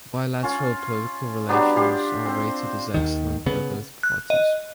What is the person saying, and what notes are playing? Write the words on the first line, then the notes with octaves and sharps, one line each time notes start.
Bilateral political relations are rated as excellent by both parties.
C#4 F4
F#3 B3 D4 G4
F4 G4 C6
C4 C5
D#2 D#3
C#3 B3
F#6
D#5